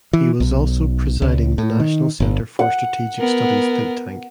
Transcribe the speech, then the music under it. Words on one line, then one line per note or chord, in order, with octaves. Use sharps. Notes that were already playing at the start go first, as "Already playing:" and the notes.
He was also presiding the National Centre for Strategic Studies think tank.
E3
B1
C#2
A2
D#3
G1
F#5
B3 A#4